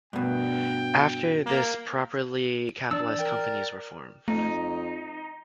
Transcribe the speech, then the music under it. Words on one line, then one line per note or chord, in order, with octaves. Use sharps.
After this properly capitalised companies were formed.
G2 B2 G5
A#3
E3 D4 D5 E6
A#4 G5
F2 A3 D#4